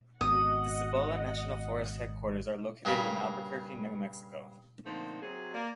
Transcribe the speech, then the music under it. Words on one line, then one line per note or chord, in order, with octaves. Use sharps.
The Cibola National Forest headquarters are located in Albuquerque, New Mexico.
G#1 B3 C4 F#4 D#5 F#5 D#6
G2 C#3 A#3 B5
D3 F3 A3 A#3 C4 D#4
C3 F#3 G#4
A#3 D5